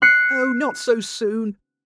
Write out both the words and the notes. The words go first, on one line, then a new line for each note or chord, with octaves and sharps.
'Oh, not so soon!
F#6 C7 C#7